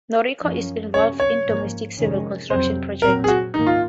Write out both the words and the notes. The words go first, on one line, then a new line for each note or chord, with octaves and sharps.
Norinco is also involved in domestic civil construction projects.
F#2 F3 A#3 C#4
C3 F#3 C#4 C#5
C#5
G#2 F3 A#3 C#4
F2 C3 D#3 G#3 C#4
F2 C3 F#3 C4 C5
A#2 F#3 C4 A#4
G#4
F#4
G#2 D#3 A#3 D#4
F4